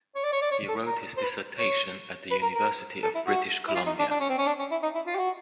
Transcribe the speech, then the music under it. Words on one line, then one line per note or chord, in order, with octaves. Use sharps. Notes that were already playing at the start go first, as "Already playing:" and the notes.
He wrote his dissertation at the University of British Columbia.
C#5
D5
C#5
D5
C#5
A4
A#4
C5
B4
C#5
B4
A#4
A#4
A4
E4
F#4
E4
F4
D#4
D4
D4
C#4
C4
C#4
D4
C#4
E4
D#4
E4
F4
G4
F#4